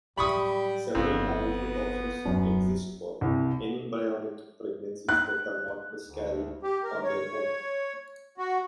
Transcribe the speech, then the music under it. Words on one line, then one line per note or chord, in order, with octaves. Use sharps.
Several management options exist for anembryonic pregnancies that have not miscarried on their own.
A2 F#3 G3 B5 C#6 D#6
G1 F2 B3
D#1 F#2
C2
F#6
D2
G4
A#4
C#5
F#4